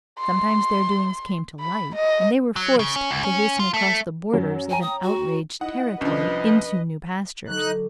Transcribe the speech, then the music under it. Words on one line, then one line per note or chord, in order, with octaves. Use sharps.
Sometimes their doings came to light, and they were forced to hasten across the borders of an outraged territory into new pastures.
C6
B5
D#5
F#3
C#3
C#4
C#2
C#4
F4
A3
F#2 F#3
C#5 G5 G#5 A#5
D#6
F#4
D#4 E4 D#5 F#5
C2 F3 C#4 D4 B4 D#5
D3 F#3 D#4 F#6